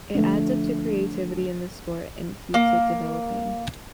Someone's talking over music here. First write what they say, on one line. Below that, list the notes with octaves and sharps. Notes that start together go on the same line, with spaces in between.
It adds up to creativity in this sport and keeps it developing.
D3 F3 A3
A#3